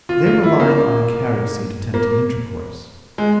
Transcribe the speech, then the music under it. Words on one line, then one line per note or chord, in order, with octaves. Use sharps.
They were lying on a carriage-seat attempting intercourse.
F4
F4
E4
A#3
A#3
G#3